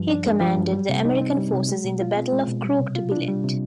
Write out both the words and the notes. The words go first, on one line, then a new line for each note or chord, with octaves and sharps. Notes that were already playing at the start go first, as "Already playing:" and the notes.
He commanded the American forces in the Battle of Crooked Billet.
Already playing: G2 F3
D4
G#3
F3
G2
G3
C3
D#4
C4
G3
C3
G#3
B2
F4
C4
G#3
B2
G3
C3
F4
D4
G3
C3